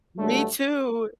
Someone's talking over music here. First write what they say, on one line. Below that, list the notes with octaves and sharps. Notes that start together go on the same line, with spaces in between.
Me too.
G2 D3 F#3 A3